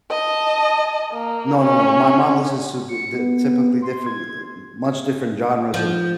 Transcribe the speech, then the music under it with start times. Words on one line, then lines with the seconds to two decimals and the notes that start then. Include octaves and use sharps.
No, no, no. My mom listens to the the typically different, th much different genres, and
0.11 D#5 A5
1.13 A#3
1.60 C#4
2.89 C#7
3.14 B3
3.82 C6
4.06 G#6
5.74 F3